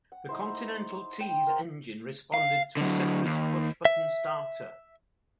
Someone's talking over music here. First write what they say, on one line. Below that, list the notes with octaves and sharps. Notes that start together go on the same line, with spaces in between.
The Continental T's engine responded to a separate push-button starter.
F#5
D#4 E4 C5
G5 C6
A#4 C5
F5
D3 F#3
D#2
E5